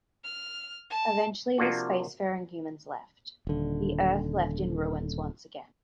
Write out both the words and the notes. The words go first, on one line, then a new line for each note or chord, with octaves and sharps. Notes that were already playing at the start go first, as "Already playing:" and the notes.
Eventually the spacefaring humans left, the Earth left in ruins once again.
F6
A5
C3 F3 A#3 D4 F4 F#4
D#1 D3